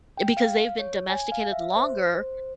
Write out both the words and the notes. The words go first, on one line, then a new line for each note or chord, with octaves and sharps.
because they've been domesticated longer,
G5
F5
C#5
G#5
F5
E5
C5